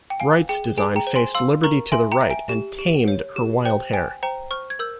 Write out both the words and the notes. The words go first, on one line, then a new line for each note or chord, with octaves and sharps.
Wright's design faced Liberty to the right and "tamed" her wild hair.
G5
F5 G#5
G#4 G5
G#4 G#5
G5 A#5
C5
G#5 C6
F5 C6 E6
A#4 A#5 C#6
E5 G#5 C6
G5 A#5
E5
G#5
G4
G4
C#5
G4
C5 G5
G5 G#5
C5 G5 A#5
C5 C#6 F6
G#6
A#4 E6 G6